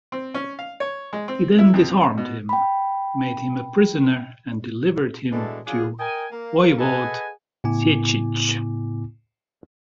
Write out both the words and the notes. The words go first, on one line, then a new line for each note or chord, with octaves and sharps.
He then disarmed him, made him a prisoner, and delivered him to Voivode Sieciech.
C4
C#4
F5
C#5
G#3
C4
E4
F2
B2
G5 B5
B2 E3 G#3 A3 D4 A4
F#3 D4 F4 G#4
A#4 D#5 G5 G#5
A#3
G#4 A4 B4 D#5 F#5 G#5
A2 C#3 B3 E4 G#5 D6